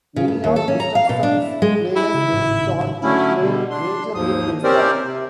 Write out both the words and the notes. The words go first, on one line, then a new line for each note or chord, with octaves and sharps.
Many of Gustafson's players went on to play Major League Baseball.
C#3
G2
D#2
A4
C#4
A#5
F5
B2
D4
E4
G#3
E4
C#3
G#1 A2 A6
D3 F#3 A3 C#4 E4
B2 D3 G3
D4 C6
D#2 G#2 F3 D#6
C4 C#4 G4 A#4 C5 D5
C3